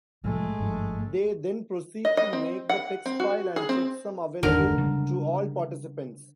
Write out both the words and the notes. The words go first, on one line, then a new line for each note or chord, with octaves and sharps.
They then proceed to make the text file and checksum available to all participants.
C2 A2 F3 G#3 A3
G#1 G2 F3
D#5
D#5
C4
F#5
C4
F#4
G#4
C4
G1 E2 D3 D#3 A#4
C#3 G3 G#3